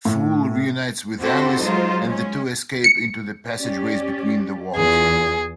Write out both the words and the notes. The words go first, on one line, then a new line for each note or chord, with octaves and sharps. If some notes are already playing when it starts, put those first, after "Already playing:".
Fool reunites with Alice and the two escape into the passageways between the walls.
A2
C4 E4 F#4 G4 A4 C5
F#3 G#3 D#4 F4 C5
G#3 C#4
C#7
C#4 G4 D5
E2 E3 F4 G#4